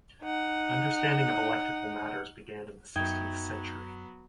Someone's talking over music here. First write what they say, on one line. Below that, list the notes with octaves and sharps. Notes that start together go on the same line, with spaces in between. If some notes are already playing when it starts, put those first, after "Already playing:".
Understanding of electrical matters began in the sixteenth century.
D#4 F#5
F#2 F#3 B3 D#4 E5 G5 G#6